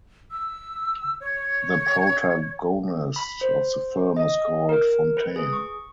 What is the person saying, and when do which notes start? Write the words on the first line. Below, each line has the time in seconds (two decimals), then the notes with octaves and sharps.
The protagonist of the film is called Fontaine.
0.31 E6
1.21 C#5
3.16 B5
3.41 C5
4.16 D#5
4.69 A#4
5.17 B4
5.36 G#4
5.53 C#6